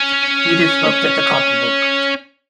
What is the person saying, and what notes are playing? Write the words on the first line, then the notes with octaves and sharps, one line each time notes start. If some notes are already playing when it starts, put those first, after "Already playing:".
Edith looked at the copybook.
Already playing: C#4